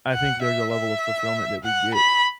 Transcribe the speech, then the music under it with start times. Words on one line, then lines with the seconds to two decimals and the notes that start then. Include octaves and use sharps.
I think there's a level of fulfillment that we get
0.13 F#5
0.42 E5
0.72 E5
1.64 F#5
1.94 B5